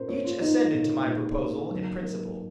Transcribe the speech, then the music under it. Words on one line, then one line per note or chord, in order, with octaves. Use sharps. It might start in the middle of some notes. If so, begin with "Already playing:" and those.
Each assented to my proposal in principle.
Already playing: A#2 C#4 A#4 C5
A#3 C#5
F4
A#3 D#4
A#2
A#2
A#3
F#3
A#3